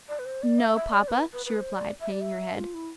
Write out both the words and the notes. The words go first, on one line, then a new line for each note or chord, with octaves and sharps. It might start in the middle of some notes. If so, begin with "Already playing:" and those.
"No, papa," she replied, hanging her head.
D5
B4
C5
D5
E5
E5
D5
B4
B4
B4
C5
D5
E5
D5
E5
F4
E4